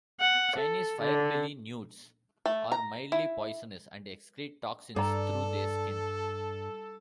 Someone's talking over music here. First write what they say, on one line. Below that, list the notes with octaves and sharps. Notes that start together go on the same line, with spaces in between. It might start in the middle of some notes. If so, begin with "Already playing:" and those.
Chinese fire belly newts are mildly poisonous and excrete toxins through their skin.
F#5
A4
D3
A3
A#5
E4
G2 A4 D5 A#5